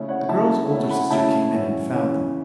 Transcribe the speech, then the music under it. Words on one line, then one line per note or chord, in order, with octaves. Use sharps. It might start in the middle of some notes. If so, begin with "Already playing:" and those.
The girl's older sister came in and found them.
Already playing: C#3 A3 C#4 E4
C#5 F#5
C#3 A3 C#4 E4 E5 A5
C#3 A3 C#4 E4
F#5 B5
C#3 A3 C#4 E4 E5 A5
C#3 E3 C#4
C#3 E3 C#4